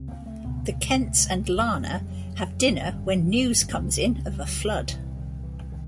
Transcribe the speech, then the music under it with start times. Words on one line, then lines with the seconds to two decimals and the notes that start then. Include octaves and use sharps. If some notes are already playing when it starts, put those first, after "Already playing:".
The Kents and Lana have dinner when news comes in of a flood.
Already playing: C#2 C3
0.08 A#3
0.26 A3
0.45 C#2 B2 B3
0.58 A3
0.64 A#3
0.82 G#3
1.01 A3
1.19 G#3
1.56 F#1 F2 C3 G3
1.84 G3
2.11 F#3
2.67 G#1 F#2 D3 G#3
2.95 G3
3.78 C#2 C3
4.33 G3
4.47 F#3
4.61 E3
4.75 D#3
4.88 C2 A#2 E3
5.17 D#3
5.43 E3
5.72 D#3